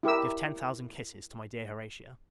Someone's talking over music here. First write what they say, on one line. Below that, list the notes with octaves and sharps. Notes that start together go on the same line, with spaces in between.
Give ten thousand kisses to my dear Horatia.
E4 G4 A#4 E6